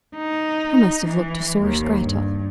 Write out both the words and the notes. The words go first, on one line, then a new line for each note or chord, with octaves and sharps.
I must have looked a sore scrattel.
D#4
E3
D#2
G2